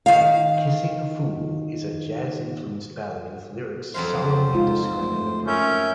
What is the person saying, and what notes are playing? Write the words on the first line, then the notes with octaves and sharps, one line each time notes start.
"Kissing a Fool" is a jazz-influenced ballad with lyrics solemnly describing a breakup.
D#3 F5
F2 F#3 C5 F5
G#3 D#4 F4
A3
C#4 A#4 E5 G6